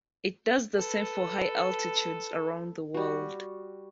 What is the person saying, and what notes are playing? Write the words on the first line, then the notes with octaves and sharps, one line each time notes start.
It does the same for high altitudes around the world.
A4 B4
G3 F#4